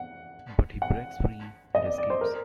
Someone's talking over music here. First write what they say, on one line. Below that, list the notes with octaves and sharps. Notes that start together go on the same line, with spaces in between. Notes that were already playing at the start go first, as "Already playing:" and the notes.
But he breaks free and escapes.
Already playing: F#5
F#5
D#5
D5
D5
C5
A#4